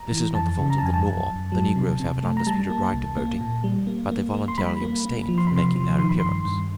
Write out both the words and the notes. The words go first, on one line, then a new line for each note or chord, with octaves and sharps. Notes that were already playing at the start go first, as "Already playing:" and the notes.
"This is not the fault of the law: the negroes have an undisputed right of voting, but they voluntarily abstain from making their appearance."
Already playing: A#5
E3
F2 A5
C#3
A#5
A5
F2 G#5
A5
F#2
F#2
F#3
C3
C3
A3
A#5
G3 A5
A#3
C2
A#3
A#2
G3
A#3
A#3
A#3
C6
G3 B5
A#3
A#3
F3
C6
B5
C3 C6
F3
D#3 C6
B5
G2 C6
G2